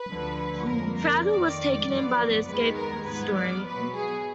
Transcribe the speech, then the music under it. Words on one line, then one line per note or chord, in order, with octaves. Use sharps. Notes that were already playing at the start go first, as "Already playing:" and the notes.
Frager was taken in by the escape story.
Already playing: B4
D2 D3 F3
F2 F3 A#3 A#4
A#4
F2 D#3 A#3 D5
F#2 F3 B3
D#2 D#3 G#3 B3 B4
A#4
G#2 F3 B3 B4
D5
B2 F#3 B3 B4
G#4